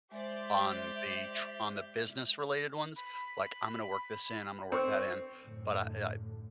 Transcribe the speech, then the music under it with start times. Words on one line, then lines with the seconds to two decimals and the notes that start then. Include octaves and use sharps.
on the tr on the business related ones, like, "I'm gonna work this in, I'm gonna work that in," but I eh,
0.12 G#3 G4 C5 D5 E5 A6
2.96 B5
4.72 C4 C#6
5.45 F#2 A2 D3